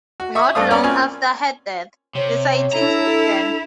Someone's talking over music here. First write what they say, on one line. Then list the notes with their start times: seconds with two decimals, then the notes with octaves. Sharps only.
Not long after her death, the sightings began.
0.20 F#4
0.35 E5 C#6 D#6
0.55 G2 A3 D4 C5 F5 D#6
0.70 B3 C#4 D5 A#5
0.83 A#3 C4 C#4 F4 C#5 G#5
2.16 C3 C#5
2.73 D4 E4 A4 A#5